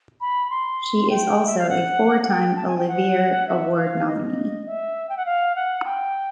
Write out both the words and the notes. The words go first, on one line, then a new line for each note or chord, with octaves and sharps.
She is also a four-time Olivier Award nominee.
B5
C6
G5
E5
F5
F#5
F#5
G5
A5
G#5
G5
F#5
E5
F5
D#5
E5
G5
F#5
F5
F#5
G5